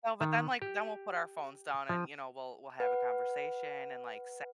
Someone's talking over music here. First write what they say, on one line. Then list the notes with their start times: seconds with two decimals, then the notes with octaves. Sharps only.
So, but then, like then we'll put our phones down and, you know, we'll we'll have a conversation, and, like, se
0.21 D#3
0.62 G4
1.89 F3
2.80 B4 F#5